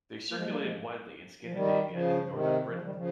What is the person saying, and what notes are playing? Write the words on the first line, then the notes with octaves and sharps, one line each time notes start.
They circulated widely in Scandinavia and northern Britain.
A#3
F3 G#3
G3 A#3
F3 G#3
F3
D#3 G3
C#3 F3
C3 D#3
C#3 F3
D#3 G3
C#3 F3